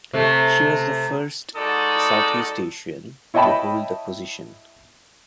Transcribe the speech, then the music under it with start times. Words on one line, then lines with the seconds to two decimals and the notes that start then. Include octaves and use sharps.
She was the first Southeast Asian to hold the position.
0.13 C3 A3
1.56 G#3 D#4 F#4 A4 D5 D#6
3.34 E4 C#5 D#5 G5 A5 B5